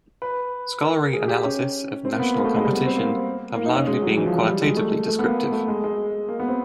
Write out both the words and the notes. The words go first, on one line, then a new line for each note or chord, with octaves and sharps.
Scholarly analyses of national competition have largely been qualitatively descriptive.
B4
A#4
G#4
G4
C#4
C4
A#3
B3
A#3
A3
G#3
G3
B3
C4
A#3
A#3
D#4
C#4
G#3
F#3
E3
F3
F#3
G3
G#3
A3
A3
B3
A#3
A#3
A3
G#3
G#3
A#3
B3
C4